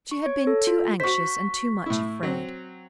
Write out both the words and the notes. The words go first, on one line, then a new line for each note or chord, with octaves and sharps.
She had been too anxious and too much afraid.
C#6
C#5
A4
F4
F#4 C5 C#6 B6
A2 E4
F#3 C4